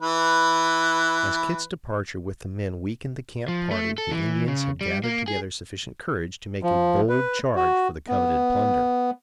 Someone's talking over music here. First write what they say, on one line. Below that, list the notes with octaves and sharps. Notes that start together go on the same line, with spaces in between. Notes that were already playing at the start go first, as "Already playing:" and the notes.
As Kit's departure with the men weakened the camp party the Indians had gathered together sufficient courage to make a bold charge for the coveted plunder.
E3 B4
F3
A3
A4
E3
C#3
G3
A#3
G#4
F3
B4
F#4
B3